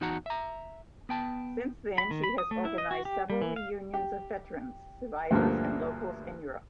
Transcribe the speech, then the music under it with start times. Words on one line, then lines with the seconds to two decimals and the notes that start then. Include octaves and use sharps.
Since then, she has organized several reunions of veterans, survivors and locals in Europe.
0.01 E2 D#4 F#4 F#5 A5 A#5
0.26 E5 A#5
1.09 B3 G5 A5
1.98 B5
2.11 D#3
2.24 B5
2.38 D#6
2.51 A3
2.65 E4
2.78 D#5
2.91 F#4
3.05 G4
3.30 G3
3.42 E3
3.56 F5
3.94 G4
5.31 D2 G2 D3 F3 A#3